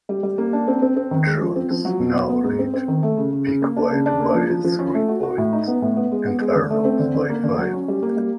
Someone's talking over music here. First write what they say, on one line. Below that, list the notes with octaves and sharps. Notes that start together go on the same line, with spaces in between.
Jones now led Piquet by three points and Arnoux by five.
G3
G3
A#3
D4
C4
C4
C4
D#3
G#3
F3
C4
F3
F#3
B2
F#3
B3
G#2
C4
C4
D#3
A3
C#3
C#3
C#3
A#3
D4
C#3
D4
A#3
F3
F3
F3
C#4
A3
F#4
F#4
A2
D#4
B3
A2
B3
G#3
B3
G#3
D3
A3
C4
D3
D3
A#3
D3
F#3
C#4
G3
A#3
G3